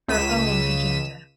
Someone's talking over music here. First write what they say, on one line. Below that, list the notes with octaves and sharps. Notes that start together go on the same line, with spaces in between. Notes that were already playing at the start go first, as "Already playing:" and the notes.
Her own agenda.
C#2 B6 D#7 E7